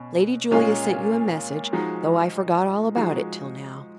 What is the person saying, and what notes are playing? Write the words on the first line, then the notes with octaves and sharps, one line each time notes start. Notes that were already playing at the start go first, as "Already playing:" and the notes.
Lady Julia sent you a message, though I forgot all about it till now.
Already playing: B2 C#4
A#2 G#3 C#4 F4
F3 G#3 D#4 F#4
F3 G#3 D#4 F#4